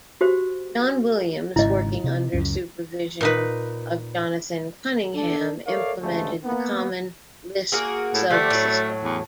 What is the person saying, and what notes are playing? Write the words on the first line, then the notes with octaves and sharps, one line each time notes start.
John Williams, working under supervision of Jonathan Cunningham implemented the Common Lisp subsystem.
F#4 G4 C5
G#1 G#2 C#3 E4 D#5
C3
C#2 F#2 C#4
A#2 D#4 B4
D4 A4
A4 A#4 C#5 D5 E5 F5
D2 G2 C#3 G#3 A3
A#3 B3
A#3 F#4 G#4
A2
D3 F3 A3 G4
A2 F#3
E2